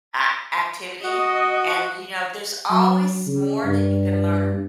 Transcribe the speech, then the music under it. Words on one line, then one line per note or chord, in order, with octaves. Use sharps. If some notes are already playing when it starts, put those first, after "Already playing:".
a activity and, you know, there's always s more that you can learn,
F#4 D#5
F#3
C#3
G2